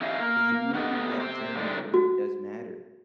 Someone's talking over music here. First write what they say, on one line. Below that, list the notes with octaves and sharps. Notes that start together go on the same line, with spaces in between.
'Cause you need that journey that really does matter,
C#4 E4 G4 D#5 F5
A#3 A#4
B3 F#4 G4 A4 D#5
G4 C5
D3 G3 D4 D#4
F#4